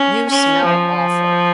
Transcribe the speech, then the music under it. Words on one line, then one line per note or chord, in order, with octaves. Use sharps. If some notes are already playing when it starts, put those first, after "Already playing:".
You smell awful.
Already playing: C#4
C#4
F3